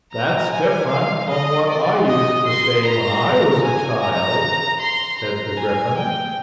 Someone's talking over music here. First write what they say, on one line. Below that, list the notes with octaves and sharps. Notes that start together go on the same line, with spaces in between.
'That's different from what I used to say when I was a child,' said the Gryphon.
A#5
G#5
F5
D#5
D5
D#5
C6
A#5
G#5
A#5
C6
A#5
G#5
G5